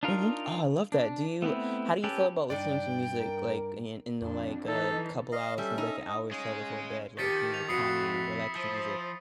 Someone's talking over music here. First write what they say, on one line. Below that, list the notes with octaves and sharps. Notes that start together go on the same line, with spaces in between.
Mhm, oh, I love that, do you how do you feel about listening to music? Like, in in the like, uh, a couple hours maybe, like, an hour or so before bed like, you know, calming, relaxing music?
D4 D#4 F4 A#4
D4
A3 B3 C4 E4
C#4 G4 A4 B4
G2 D4 D#4 D5 G5
A#4
F2 D4
E3 D#4 A4
D#5 F5
G3 C#4 A4 E5
D#4
D#5
C#3 G#3 G#4
D#3 F3 G4 A6 B6 C#7
F7
F2 E4 F#4 D#6 C7 C#7
F3 C5